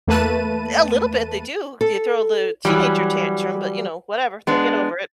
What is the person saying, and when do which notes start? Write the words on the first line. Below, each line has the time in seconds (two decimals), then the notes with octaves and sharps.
A little bit, they do. They throw the teenager tantrum, but, you know, whatever, they'll get over it.
0.07 E2 A3 A#3 B4 A5 D#7
1.81 A4
2.65 E3 F#3 G3
4.47 G#3 B3 D4